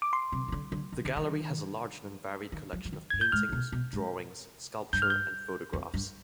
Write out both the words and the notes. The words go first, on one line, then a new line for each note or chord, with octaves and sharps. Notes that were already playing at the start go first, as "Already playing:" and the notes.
The Gallery has a large and varied collection of paintings, drawings, sculpture and photographs.
D6
C6
C3
C3
D3
D3
D#3
D3
D#3
D#3
F3
F3
D#3
G2 G#6
G6
G#2 F6
C3
B2
B2
G#2
G2 G6
F6
G6
F2
G2